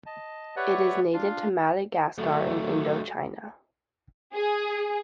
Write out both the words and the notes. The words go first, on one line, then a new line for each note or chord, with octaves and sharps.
It is native to Madagascar and Indochina.
D#5 A5
G4 B4 C#5 D5 E5 F#5
D4 F4 F5
F#3 A3
G#4